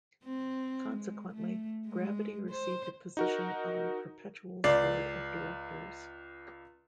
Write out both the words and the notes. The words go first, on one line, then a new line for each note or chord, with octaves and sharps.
Consequently, Gravity received a position on Perpetual's board of directors.
C4
G#3
A3
G#3
C5
D#4 F#4 A#4
C#2 D5 C7